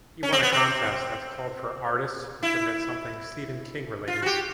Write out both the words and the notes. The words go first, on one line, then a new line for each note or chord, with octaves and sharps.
He won a contest that called for artists to submit something Stephen King related.
C#4
C4
B3
C4
E4
F4
F#4
G4